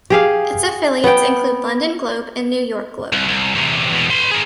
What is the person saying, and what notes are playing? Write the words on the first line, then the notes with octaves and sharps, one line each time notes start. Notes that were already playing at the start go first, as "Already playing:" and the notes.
Its affiliates include London Globe and New York Globe.
G4 G#4 F5
B3 G5
C2
C2
E2 C3
E2 B2
B4 C6
G#4 A#4